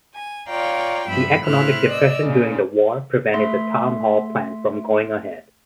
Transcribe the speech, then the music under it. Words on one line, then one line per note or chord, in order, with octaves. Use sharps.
The economic depression during the war prevented the town hall plan from going ahead.
G#5
F4 C#5 D5 F5 G5 A#5
G2 F3 B3 E5 B5
A2 C4 E4 E5 F6 F#6
D5 D#5 E6
A#2 C#3
A3 E5 C6